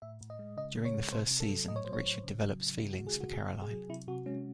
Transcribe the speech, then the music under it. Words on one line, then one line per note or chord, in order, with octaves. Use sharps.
During the first season, Richard develops feelings for Caroline.
A2 E5
A2
D#5
G#3
C#3 D#5
C#3
C#5
G#3
C3 C5
C3
A4
F#3
A2 D#5
C#5
F#3 C5
C#5
A2
C#3
F#3
C#3
C#3 E4
F#4
G#3
G#4
C#3 F#4
C3 G#4
C3
G#4
F#3
C3 E4
C3 F#4
G#3 C#4